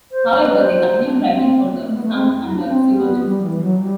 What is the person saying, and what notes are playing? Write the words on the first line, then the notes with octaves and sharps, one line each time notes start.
However, they continued writing for the "Sun" under pseudonyms.
C5
C5
B4
C5
D4
C4
A3
B3
A3
C4
E4
D4
B3
C4
B3
G3
E3
F#3
G3